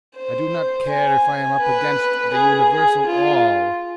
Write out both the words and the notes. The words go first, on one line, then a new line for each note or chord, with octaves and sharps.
I do not care if I am up against the universal All.
C5
G#5
B4
G#4
G#4
F4